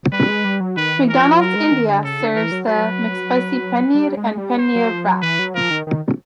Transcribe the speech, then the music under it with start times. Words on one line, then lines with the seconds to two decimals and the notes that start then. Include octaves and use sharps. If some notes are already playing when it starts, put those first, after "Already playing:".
McDonald's India serves the McSpicy Paneer and Paneer Wrap.
0.12 G3 B4
0.28 G#3
0.45 G3
0.60 F#3
0.77 D#3 B4
0.97 E3
1.09 A#4
1.19 F3
1.40 F#3 A#4
1.56 G#3
1.72 D#3
1.88 D3
2.04 C#3 A4
2.20 D3
2.36 E3 A#4
2.52 F#3
2.67 F#3 B4
3.95 G3
4.17 G#3
4.37 G3
4.59 C5
4.75 F#3
4.91 F3
5.07 F#3
5.22 E3 B4
5.39 F#3
5.54 F3 A#4
5.71 D#3
5.87 D#3